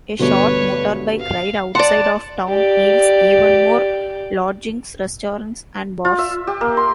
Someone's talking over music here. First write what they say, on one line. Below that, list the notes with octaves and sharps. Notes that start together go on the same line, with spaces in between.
A short motorbike ride outside of town yields even more lodgings, restaurants and bars.
D2 G2 B2 B4 C#5
F5
D5 F#5 A5 C6
G4 D5
F4
E5
G4
A#3
C6